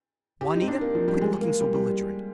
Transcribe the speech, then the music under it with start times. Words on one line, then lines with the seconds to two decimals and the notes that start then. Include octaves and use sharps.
Juanita, quit looking so belligerent.
0.41 G4
0.55 D#4
0.62 C4
0.68 D4
0.81 A#3
0.95 F3
1.08 G3
1.21 G#3
1.41 A#3
1.61 G3
1.74 G3